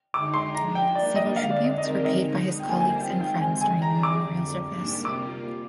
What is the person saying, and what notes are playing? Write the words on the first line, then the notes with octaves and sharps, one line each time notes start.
Several tributes were paid by his colleagues and friends during the memorial service.
D3 G#3 D#4 D6
C6
F3 G#3 D4 A#5
G5
G3 A#3 D4 D5
D#5
D3 G#3 D4 F5
D5
D#5
D#3 G#3 C4 G4 A#4 D#5
D5
D#5
D3 G#3 D#4
D3 G3 A#3 F4 C5 G5
G#5
G#5
G#5
D#3 G#3 C4 F4 G5
G5
D3 G#3 C4 G#5
G#5
G3 D4 G#4 A#5
D6
F2 D3 G3
G#2 G3 A#3 D4 G4
C3 G3 A#3 F4 D6